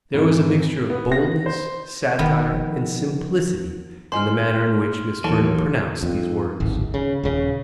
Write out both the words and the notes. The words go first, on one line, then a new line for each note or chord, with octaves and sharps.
There was a mixture of boldness, satire, and simplicity in the manner in which Miss Vernon pronounced these words.
F2 G#2 E3
B3
A#6
C5
F#1 D#3 B3
F3
G#3 C5 C6 F6
D#2 E3 F#3 A4
F2
D1 G#1
C#3
D#1 C#3